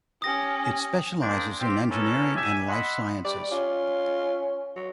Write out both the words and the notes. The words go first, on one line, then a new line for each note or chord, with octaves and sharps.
It specialises in engineering and life sciences.
C#4 G4 D#6 A#6
A#3 C4 D4 G#4 C5
C4 F4 G4
B3 C#4 E4 A4 A#4
G4 E5 G#5
D#5 E5 F#5 B5 C6
G3 D5
C#4 F4
F#3